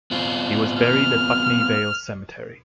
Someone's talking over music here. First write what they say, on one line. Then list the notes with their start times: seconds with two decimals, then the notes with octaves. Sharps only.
He was buried at Putney Vale Cemetery.
0.11 B3 C4 F4
0.80 F6